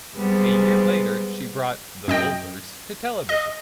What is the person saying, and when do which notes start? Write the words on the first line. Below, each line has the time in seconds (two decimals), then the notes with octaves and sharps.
A year later, she brought "The Goldbergs" to television.
0.15 F#2 C3 G3 G#3 B3 C4
2.08 F#2 D#5 G5
3.29 D#5